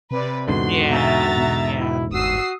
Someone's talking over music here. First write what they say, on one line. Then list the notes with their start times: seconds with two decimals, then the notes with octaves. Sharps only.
Yeah. Yeah.
0.11 C3 B4 D5
0.48 E2 G#2 D3 F#4 C6
0.89 B2 E5 A#5 A6
1.37 B2
1.80 E4
2.12 G1 F#4 D#6 E6 C7